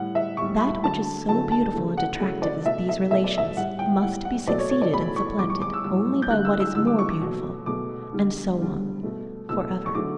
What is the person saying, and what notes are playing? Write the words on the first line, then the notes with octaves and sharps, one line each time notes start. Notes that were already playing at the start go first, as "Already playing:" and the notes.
That which is so beautiful and attractive as these relations, must be succeeded and supplanted only by what is more beautiful, and so on for ever.
Already playing: A2 G3 F#5
E5
A2 G3 C#6
B5
D3 F#3 A3 A5
D3 F#3 A3 A5
A5
C#3 F#3 A3
F#5
C#3 F#3 A3
D5
B2 A3 E5
E5
B2 A3 E5
D5
E5
A2 G3 F#5
G5
A2 G3 F#5
F#5
B2 F#3 A3 D5
C#5
C#5
D5
B2 F#3 A3 B5
C#6
A2 G3 D6
C#6
D6
E6
A2 G3 E6
G6
D3 G3 F#6
E6
E6
D3 G3 E6
D6
C#6
D6
B2 F#3 A3
B2 F#3 A3 D6
D3 G3
D3 G3
B2 A3
B2 A3 E6
C#6
D3 F#3 A3 D6